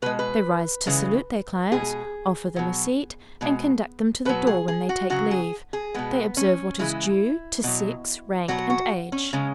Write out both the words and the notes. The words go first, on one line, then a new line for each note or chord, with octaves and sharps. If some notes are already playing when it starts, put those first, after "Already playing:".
They rise to salute their clients, offer them a seat, and conduct them to the door when they take leave; they observe what is due to sex, rank, and age.
B2 G#3 B4
B4
C#3 E3 G#3
B2 G#3 G#4
B2 F#3
B2 G#3
B2 F#3 B4
G#4
G#4
F#4
C#3 F#3 F#4
G#4
G#4
B2 G#3 B3
C#4
C#3 E3 G#3 E4
B2 F#3
B2 F#3 F#4
F#4
C#4
C#3 G#3 C#4